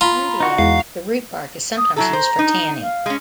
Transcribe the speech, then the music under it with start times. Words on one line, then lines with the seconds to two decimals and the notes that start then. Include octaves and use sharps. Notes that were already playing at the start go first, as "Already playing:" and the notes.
In India, the root bark is sometimes used for tanning.
0.01 F4 A#5 B5
0.40 D#4 F#4
0.58 E2 E3 G#3 F5
1.77 D#6
1.96 F#3 E4 A4 A#5
2.13 C5
2.39 D#4
2.81 F5
3.06 G#3 C#4